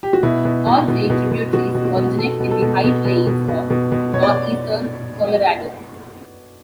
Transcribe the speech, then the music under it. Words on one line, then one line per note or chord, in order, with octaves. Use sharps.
All three tributaries originate in the High Plains of northeastern Colorado.
G4
F#4
B2 E4
B2
B2
B2
B2
B2
B2 F#4
B2
F#4
B2
B2 A4
B2
A4
B2
B2
B2
B2
B2
B2
B2
B2 C#5
D5